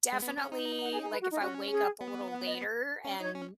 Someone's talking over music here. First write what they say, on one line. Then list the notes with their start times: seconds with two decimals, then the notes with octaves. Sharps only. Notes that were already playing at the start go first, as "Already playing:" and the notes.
definitely, like, if I wake up a little later and,
0.13 G#3
0.22 B3
0.37 C#4
0.52 D#4
0.82 F#5
0.92 G#4
1.02 G#4
1.12 B4
1.21 F#4
1.32 D#4
1.41 C#4 F#4
1.71 G#4
2.01 B3
2.30 F#5
2.46 D#5
3.05 C#4
3.20 D#4 C#5
3.35 C#4